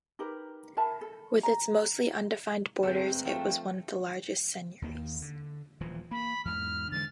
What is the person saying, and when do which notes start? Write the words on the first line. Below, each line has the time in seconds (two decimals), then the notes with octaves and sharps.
With its mostly undefined borders, it was one of the largest seigneuries.
0.19 D#4 G4 A#4 B4
0.77 A#4 E5 A5 B5
1.01 A4
1.43 A#5
2.83 G1 G#3 A3 C4 G6
3.25 F3 A3 G5
4.82 D#2 D#3 A#3
5.22 D3
5.80 D#1 E3 F3
6.11 A#3 B5
6.45 E2 G#2 F6
6.92 D3 E3 G#3 A6